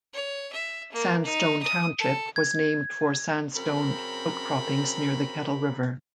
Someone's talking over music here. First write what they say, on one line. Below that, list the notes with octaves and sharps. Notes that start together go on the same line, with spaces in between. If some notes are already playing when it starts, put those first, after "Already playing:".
Sandstone Township was named for sandstone outcroppings near the Kettle River.
C#5
E5
A#3
D#4
D#6
A4
G#6
F#2 C#3 C4 A#4 A#5 B5